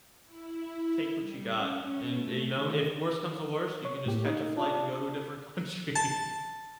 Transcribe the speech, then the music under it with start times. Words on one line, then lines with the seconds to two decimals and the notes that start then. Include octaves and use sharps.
Take what you got, and, uh you know, if worse comes to worst, you can just catch a flight and go to a different country.
0.23 E4
1.17 G3
1.52 C#4
2.06 A3
2.48 D#3
3.85 C#5
4.06 A2 A#3 G4
4.25 D#4
4.57 D4 F4
5.96 A5